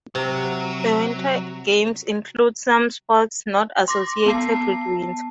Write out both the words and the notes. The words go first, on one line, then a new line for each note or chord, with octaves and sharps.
The winter games include some sports not associated with winter.
C3 F#3
C6 D6 A#6
B3 A5 C7